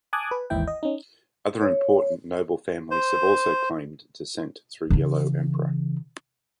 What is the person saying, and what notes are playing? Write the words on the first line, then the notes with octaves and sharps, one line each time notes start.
Other important noble families have also claimed descent through Yellow Emperor.
G#5 A5 D6 D#6 F#6 G#6
B4
G#1 D#2 G#2 E3 E4 G5
D#5
C#4 D#4
C#5
C5
C#3 E3